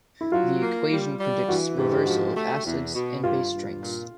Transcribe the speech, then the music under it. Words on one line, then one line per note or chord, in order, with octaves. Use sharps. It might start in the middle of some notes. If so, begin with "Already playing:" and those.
The equation predicts reversal of acids and base strengths.
E4
F#3 F4
A#3
G3
G3
E3 F#4
G#2 G4
G4
F3 F#4
A3
E2
B2
G2 F4
G2
A#2